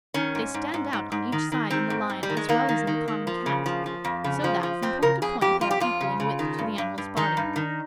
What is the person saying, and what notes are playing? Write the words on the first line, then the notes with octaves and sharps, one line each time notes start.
They stand out on each side in the lion, as well as in the common Cat; so that, from point to point, they are equal in width to the animal's body.
D#3 C#4
G#2
G#2
G#2
G#2
G#2
D#3
D#3
D#3 C4
G#2
G#2
G3
D#3
G#3
D#3 A#3
D#3
D#3
D#3
F3
C#3
F3
F3
F2
C#3
F3
F3
F2 C4
C#3 A#4
F2 G#4
F2 G4
F2 F4
G4
F2 F4
C#3
C#3
D#3
G2
G2
G2
D#3 D#4
G2
D#3